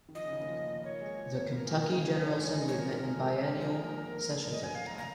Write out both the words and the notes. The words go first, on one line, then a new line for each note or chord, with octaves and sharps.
The Kentucky General Assembly met in biennial sessions at the time.
D#3
F3 D#5
C#3
D#3
A#3
F3
A#3
A#3 C#5
G#3
F3
A#3
A#3 A#4
G#3
F3
A#4
C#3 G#4
G#4
D#3
A#4
D#3 C#5
G#3 C#5
G#3 D#5
C#5
F3
A#4
F3 A#4
G#3
G#3
G#3
F3 A#4
G#3
A#3
G#4
A#4
D#5
G#5
F5
A#5
A#5